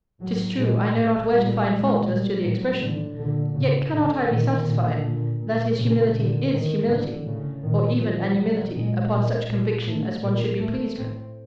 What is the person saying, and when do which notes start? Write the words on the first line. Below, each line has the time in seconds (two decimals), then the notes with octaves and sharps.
'Tis true, I know not where to find fault as to the expression; yet cannot I be satisfied, that his humility is humility; or even an humility upon such conviction as one should be pleased with.
0.20 A2 F#3
0.57 A#2 G#3
0.94 A2
1.31 A#2 G3
1.68 A#2 G#3
2.06 A#2 G3
2.43 A2 F#3
2.80 A2 D3
3.16 A#2 D3
3.54 A2 C#3
3.92 A2 D3
4.28 A#2 D#3
4.65 A#2 D3
5.03 A#2
5.40 A#2
5.76 A#2 C#3
6.14 A#2 D3
6.52 A2 D#3
6.88 A2 D3
7.25 A2 C#3
7.62 A#2 D#3
7.99 A#2 F3
8.36 A#2 F#3
8.74 A#2 G#3
9.12 A#2
9.49 A#2
9.85 A2 A3
10.23 A#2 A#3
10.60 A2 A3
10.97 A2 C4